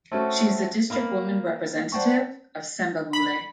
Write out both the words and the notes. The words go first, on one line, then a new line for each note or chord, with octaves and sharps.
She is the district woman representative of Sembabule.
A3 C4 C#4 F#4
A#3 B5 F6
C5 D5 F#5 G5 A5 C#6
B5